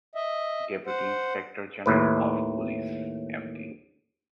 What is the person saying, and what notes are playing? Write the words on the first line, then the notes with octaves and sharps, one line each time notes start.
Deputy Inspector General of Police Md.
D#5 E5
C5 F#5
D#2 A2 B4